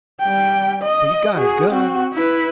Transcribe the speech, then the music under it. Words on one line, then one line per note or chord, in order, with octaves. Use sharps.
But you got a gun.
G3 G5
D#5
F#4 G#4
C4 F#4
E4 B4